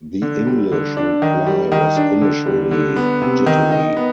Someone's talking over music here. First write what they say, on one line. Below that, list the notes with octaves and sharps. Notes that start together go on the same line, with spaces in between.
The English reply was initially jittery.
D3
G3
D3
D4
D#3
G3
D#3
D4
D3
G3
D3
B3
C3
D#3
D#4
B3